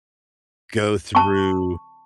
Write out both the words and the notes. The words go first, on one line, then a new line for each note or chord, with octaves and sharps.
go through
A5 C#6